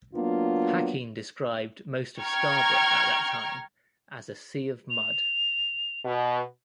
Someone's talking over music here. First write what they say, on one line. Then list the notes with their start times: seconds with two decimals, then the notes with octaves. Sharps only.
Hacking described most of Scarborough at that time as a "sea of mud".
0.15 F#3 A#3 B3 D4 F4
2.21 G5 A#5 C#6 F6 G#6
4.90 F7
6.05 B2